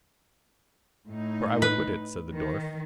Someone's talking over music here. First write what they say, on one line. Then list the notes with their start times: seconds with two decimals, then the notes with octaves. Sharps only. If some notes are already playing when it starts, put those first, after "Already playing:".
For I would wit it, said the dwarf.
1.08 A2 D#4
1.62 B4
2.33 D#3